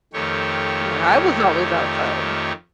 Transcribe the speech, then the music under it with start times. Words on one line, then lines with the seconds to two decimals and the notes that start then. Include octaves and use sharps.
Yeah, I was always outside.
0.13 F2 D#3 A3 G4 C#5